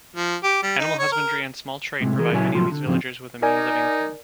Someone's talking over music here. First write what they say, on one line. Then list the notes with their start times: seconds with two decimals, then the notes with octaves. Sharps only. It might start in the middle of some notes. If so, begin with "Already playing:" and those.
Animal husbandry and small-trade provide many of these villagers with a means of income.
0.16 F3
0.44 G4
0.63 G3
0.79 D#4
0.99 C#5
1.12 A#4
2.00 A2 C3 G#3
2.19 E3 G#4 A#4
2.31 A#2 C#3 F#3 E4 C#5 G#5
2.54 C2 A2 F3 F#3 C6
2.72 D3
2.86 G#2 C#3 F3 C4
3.42 D#4 A#4 D5 G#5